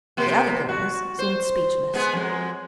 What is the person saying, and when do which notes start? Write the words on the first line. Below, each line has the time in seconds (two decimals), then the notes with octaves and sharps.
The other girls seemed speechless.
0.17 C3 A#3
0.69 F#4 D5
1.19 C5
1.94 G#3 B3 G#4
2.13 F2 F#3 G#3